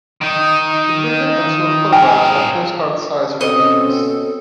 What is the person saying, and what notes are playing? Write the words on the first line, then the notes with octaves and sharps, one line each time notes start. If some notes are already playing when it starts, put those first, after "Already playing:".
She printed and sold photographs at postcard size for the teachers.
D#3 D#4
G#4 A#4 G5 G#5
B2 C4 C#4 A4 D#5